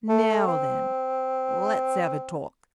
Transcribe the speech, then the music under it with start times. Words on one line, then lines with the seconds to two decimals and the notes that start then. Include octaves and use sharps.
'Now then, let's have a talk.
0.09 A3
0.47 C4